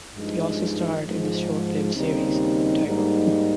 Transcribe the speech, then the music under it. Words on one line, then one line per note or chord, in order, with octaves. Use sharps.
He also starred in the short-lived series Tightrope!
G2 F3 G#3 D#4
G#2 F3 G#3
D#2 C#3 G3 C4 D#4
G#2 G3 A#3 D#4